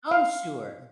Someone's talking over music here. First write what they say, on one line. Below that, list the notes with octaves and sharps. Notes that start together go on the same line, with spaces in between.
Oh, sure.
F5